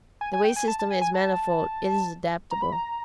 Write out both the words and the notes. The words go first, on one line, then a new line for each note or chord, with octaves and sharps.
The wage system is manifold, it is adaptable.
G#5
G#5
G5
G#5
A5
A5
G#5
G#5
A5
A#5
B5
A#5